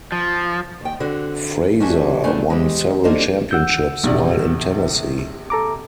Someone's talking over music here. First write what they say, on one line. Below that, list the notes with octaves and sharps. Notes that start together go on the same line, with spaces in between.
Fraizer won several championships while in Tennessee.
F3
D#2 G5
D3 C4 F#4
G3 D4 F#4 E5 G#5
F#2 G3 A3 D4 E4 G#5
G#3 C4 G4
G3 A#3 D4 D#4 A4 C5
F#5 E6 G6
A#1 C3 D5
A4 A#5 D6